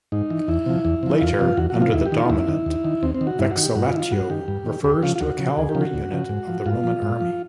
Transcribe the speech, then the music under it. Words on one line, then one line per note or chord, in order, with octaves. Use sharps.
Later, under the Dominate, "vexillatio" refers to a cavalry unit of the Roman army.
G#2 D#4
E3
E2 E4
C3 F3
E2
C3 F3
E2 F4
C3 F3
E2 F#4
F#4
F3
C3 F4
D#2 E4
G4
D#3
F4
D#4
D#2 E4
D#3
D#2
D#3
D#2 C4
C4
D#3
F#4
G2 E4
F#4
D#3
G4
G2 F#4
F4
D#3 E4
F4
G2 F#4
D#3 G4
G2
D#3
D2 G4
C#3 F3 F4
F4
D2 F#4
C#3 F3
D2 G#4
G4
C#3 F3
F#4
D2
C#3 F3
G#2
F3
G#2 F4
F3
G#2
F3